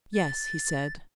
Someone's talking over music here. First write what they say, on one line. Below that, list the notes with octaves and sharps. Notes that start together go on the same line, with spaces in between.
"Yes," he said.
A6